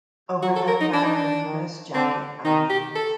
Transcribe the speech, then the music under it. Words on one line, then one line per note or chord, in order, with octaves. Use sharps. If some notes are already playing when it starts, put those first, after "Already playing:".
Over that matter of the mess jacket, I mean.
F#3 F#4
A4
A#4
D#4
D4
D#4
D4
D#3
D3 C4
D#3 D#4
G4
A4